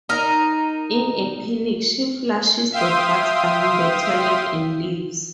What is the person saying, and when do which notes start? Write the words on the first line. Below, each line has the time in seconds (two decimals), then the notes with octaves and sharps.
In a panic, she flushes the drugs down the toilet and leaves.
0.09 D#4 A#4
2.72 E5 F5 G5 C6 D#6